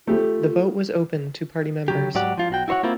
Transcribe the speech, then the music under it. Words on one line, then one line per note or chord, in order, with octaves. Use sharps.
The vote was open to party members.
A3 F4 G4
C#3 F#3 G4
G#2 F#3 G4 D5 F#5
F3 F4
B1 F#4 G5
E4 F#4 C5 C#5 F#5
A#3 C4 E4 F4